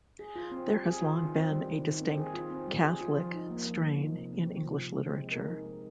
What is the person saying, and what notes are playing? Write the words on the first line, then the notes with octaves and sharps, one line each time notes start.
There has long been a distinct Catholic strain in English literature.
G#4
F4
C4
G3
G#4
F4
D#3
C4
G3
D#3
D#3
C4
G#4
F4
C4
G3
G#4
F4
F3
D#4
A#3
F3
F3
D#4
C3
C4
F3
C3
C3
C4
G#3
A#4
D#4
G#3